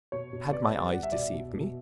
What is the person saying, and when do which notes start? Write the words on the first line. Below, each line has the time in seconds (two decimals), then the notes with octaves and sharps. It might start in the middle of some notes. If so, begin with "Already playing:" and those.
Had my eyes deceived me?
0.12 B2 C#5
0.33 B2
0.53 B3 D5
0.73 G3
0.93 G3 F#5
1.03 E5
1.12 B2 D5
1.22 E5
1.33 B2
1.53 B2